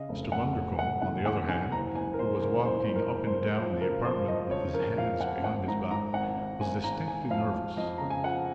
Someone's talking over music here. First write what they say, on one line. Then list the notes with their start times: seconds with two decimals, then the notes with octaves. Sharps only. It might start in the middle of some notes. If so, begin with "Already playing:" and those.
Mr. Bundercombe, on the other hand, who was walking up and down the apartment with his hands behind his back, was distinctly nervous.
Already playing: C#3 D#5
0.09 F1
0.32 F1 F#5
0.55 F1
0.79 F1 F#5
1.02 D#2 F#5
1.26 D#2 F#5
1.48 D#2 G#5
1.72 F#1 A#5
1.95 F#1 G#5
2.14 A#4
2.19 F#1 C5
2.42 C#3 A#4
2.65 F#1 C5
2.89 F2
2.96 A#4
3.12 F#1
3.27 C5
3.35 F#1
3.58 F3 C5
3.81 C#3 A#4
4.05 F3 C5
4.28 F2 D#5
4.51 C#3 C#5
4.74 F2 A#4
4.98 F2 F5
5.21 F2 F#5
5.44 G#1 F#5
5.67 G#2 A#5
5.91 G#1 A#5
6.14 G#1 F#5
6.37 G#1
6.61 G#1 G#5
6.84 G#1 A#5
7.07 G#2 G#5
7.30 F2 F5
7.54 F2
7.77 F2 D#5
7.98 C#3 A#5
8.10 G#5
8.23 F3 F#5